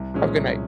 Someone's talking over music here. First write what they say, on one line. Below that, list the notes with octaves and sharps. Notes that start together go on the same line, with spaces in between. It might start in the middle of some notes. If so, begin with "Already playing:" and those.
Have a good night.
Already playing: C2
A#2 F3 G#3 C#4
C2